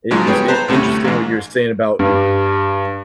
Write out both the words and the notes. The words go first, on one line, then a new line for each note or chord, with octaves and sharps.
It it was i interesting what you were saying about,
G#2 F3 F#3 G#3
G3 B3 G#4 C#5 G5
B4 C5 A5 A#5
D2 A2 C3 G3 C#4
A1 G#2
G2